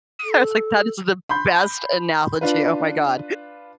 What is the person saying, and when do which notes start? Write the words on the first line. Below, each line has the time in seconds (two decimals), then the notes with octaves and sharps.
I was like, "That is the best analogy." Oh my God.
0.24 A4
1.29 B5 C6 G6
2.41 D4 F4 B4